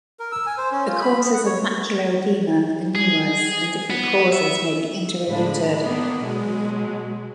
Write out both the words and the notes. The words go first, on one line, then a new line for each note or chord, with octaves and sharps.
The causes of macular edema are numerous and different causes may be inter-related.
A#4
E6
G#5
C5
C#4
F4
B5
B3
F#5
C#5
G#4
B3
E5
A2 D3 G#3 D4 B5
D#3 A#3 B3 D4
B2 F#3 G#3